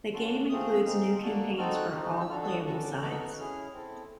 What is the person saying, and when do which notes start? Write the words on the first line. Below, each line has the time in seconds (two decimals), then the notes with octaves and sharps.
The game includes new campaigns for all playable sides.
0.13 C#4 F#4 A4 C6
0.28 C#6
0.32 D6
0.49 A3 C4 F4 G#4 D#6
0.74 E6
0.86 C4 D#4 G#4 F6
1.22 A#3 D4 F#4 A4
1.58 C4 D#4 F#4 A4 F6
1.76 F#6
1.94 C4 D#4 G4
2.20 E6
2.30 D4 F#4 A4 F6
2.43 E6
2.47 D#6
2.65 C#4 F#4 A4 C#6
2.83 D6
3.01 B3 D#4 F#4 A4 D6
3.11 E6
3.20 F6
3.29 F#6
3.38 C#4 E4 G#4 F6
3.73 C4 E4 A4